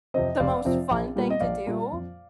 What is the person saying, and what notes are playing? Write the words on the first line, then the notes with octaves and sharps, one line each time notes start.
the most fun thing to do,
F2 C3 F3 C4 C5 D#5
F1 D5 F5
F2 C3 F3 C4
A#1
A#2 G3 A#3
D#5
A#1 D5 F5
A#2 G3 A#3
F2